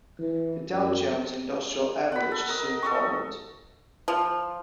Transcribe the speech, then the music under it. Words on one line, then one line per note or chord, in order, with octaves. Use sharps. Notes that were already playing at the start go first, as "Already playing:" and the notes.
The Dow Jones Industrial Average soon followed.
E3
F#2
F#5 B5
A4
A#4 D#5
A4 D#5 C#6
F3